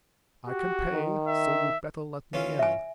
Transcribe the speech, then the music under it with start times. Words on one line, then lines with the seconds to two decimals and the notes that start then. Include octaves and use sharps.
I can pay; so you'd better let me in.'
0.47 F#4 G4
0.92 D#3
1.28 E5
2.33 E3 C#4 F4
2.59 E5 G#5